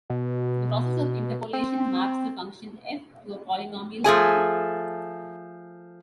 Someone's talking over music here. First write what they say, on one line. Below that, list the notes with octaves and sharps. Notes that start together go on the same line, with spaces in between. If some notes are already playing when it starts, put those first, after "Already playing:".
The process of interpolation maps the function "f" to a polynomial "p".
B2
C4
F3 A3 G#4 G#5